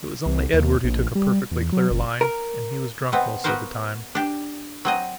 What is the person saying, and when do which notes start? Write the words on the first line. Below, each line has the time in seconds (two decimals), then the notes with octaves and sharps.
It was only Edward who took a perfectly clear line, and he was drunk most of the time.
0.26 C2
0.53 D#2
0.84 A#1
1.15 G3
1.51 E2
1.73 F#3
1.91 F#1
2.21 A#4
3.12 B2 B3 C4
3.44 B3 F#4 A#4 C5 F5
4.15 D4 G4
4.85 F#3 C4 D#5